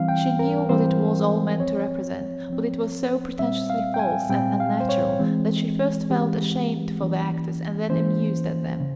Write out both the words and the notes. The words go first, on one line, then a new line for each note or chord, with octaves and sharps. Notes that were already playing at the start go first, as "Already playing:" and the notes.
She knew what it was all meant to represent, but it was so pretentiously false and unnatural that she first felt ashamed for the actors and then amused at them.
Already playing: E3 G3 C4 F5
G5
A#4
E3 G3 C4 C5
F3 C4 C#5
F3 C4
A#2 G3 C4 E5
F5
G5
G#5
A#2 G3 C4 G5
F5
C5
C#5
E3 G#3 C4
E3 G#3 C4 G4
E3 A#3 C#4
E3 A#3 C#4 C5
C#3